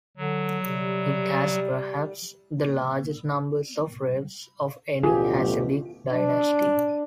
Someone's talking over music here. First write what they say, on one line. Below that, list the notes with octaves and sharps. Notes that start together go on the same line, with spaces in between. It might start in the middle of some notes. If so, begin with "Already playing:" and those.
It has perhaps the largest numbers of rebbes of any Hasidic dynasty.
D3 F#3
C3 G3
A1 D2 B2 F4 G4 G#4
D4